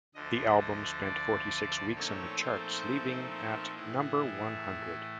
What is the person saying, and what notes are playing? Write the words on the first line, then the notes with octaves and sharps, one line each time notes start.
The album spent forty-six weeks in the charts, leaving at number one hundred.
D2 D3 F3 D#5
D#5
D5
A#2 F3 A3 C4 D#4 C#5
C5
C5
A2 E3 A3 G#4